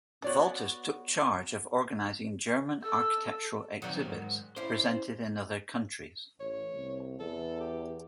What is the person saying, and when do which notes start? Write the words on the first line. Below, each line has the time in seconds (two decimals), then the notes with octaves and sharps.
Wolters took charge of organizing German architectural exhibits presented in other countries.
0.24 B3 F#4 C#5 D5
2.83 A4 E6
3.82 F2 D#3 F#3 D5
4.02 D#2 G#2
4.56 C#4 D4 E4 C5
6.40 A1 C#5
6.74 C2
7.20 E2 A4
7.60 G4